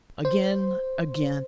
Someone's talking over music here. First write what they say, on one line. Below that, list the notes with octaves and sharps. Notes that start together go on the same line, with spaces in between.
Again! again!
C5